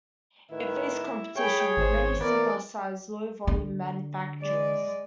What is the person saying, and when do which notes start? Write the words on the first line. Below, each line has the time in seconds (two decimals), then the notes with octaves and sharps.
It faced competition from many similar-sized low-volume manufacturers.
0.51 A2 D#3 E4 B4
1.37 G#4 C#5 G5 B5
1.77 G#1 C5
2.21 E3 F3 B3 A#4 D5
3.47 D3
4.42 G#3 D5